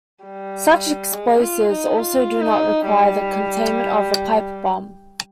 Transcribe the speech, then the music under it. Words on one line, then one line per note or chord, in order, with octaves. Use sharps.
Such explosives also do not require the containment of a pipe bomb.
G3
G#3
F4
D#4
F4
D#4
G3